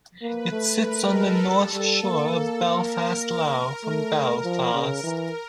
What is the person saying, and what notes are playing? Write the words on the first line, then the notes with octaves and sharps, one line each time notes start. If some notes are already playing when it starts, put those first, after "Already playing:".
It sits on the north shore of Belfast Lough, from Belfast.
A#3 B4
A3
A3 A#4
G#3 A4
G3
G3
A#3
A#4
A3
F3
C#3
E3 A#4